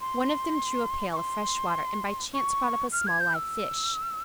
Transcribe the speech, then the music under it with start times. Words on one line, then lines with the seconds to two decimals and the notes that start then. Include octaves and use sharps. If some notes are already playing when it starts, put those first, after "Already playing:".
One of them drew a pail of fresh water and by chance brought up a small live fish.
0.01 C6
1.12 C#6
1.17 C6
2.34 C#6
2.92 F6
3.07 G#6
3.20 G6
3.36 E6